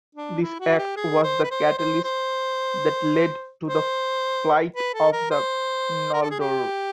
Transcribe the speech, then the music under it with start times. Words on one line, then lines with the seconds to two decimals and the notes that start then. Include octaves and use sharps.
This act was the catalyst that led to the Flight of the Noldor.
0.15 D4
0.42 E4
0.60 F#4
0.78 G4
0.97 G#4
1.23 C5
1.44 B4
1.51 C5
1.78 C5
2.04 C5
3.68 C5
4.76 B4
4.94 A4
5.13 A#4
5.31 C5
6.14 A#4
6.22 A4
6.31 G#4
6.40 G4